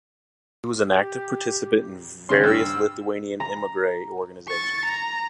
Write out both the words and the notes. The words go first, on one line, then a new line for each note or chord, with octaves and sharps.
He was an active participant in various Lithuanian emigre organisations.
G4
G#1 C#3 C#5 C6
G2 E6
A#5
C#6 A6
A#5